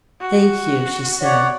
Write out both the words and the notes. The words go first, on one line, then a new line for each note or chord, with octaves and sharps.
"Thank you," she said.
F#4
C#5 D5 F#5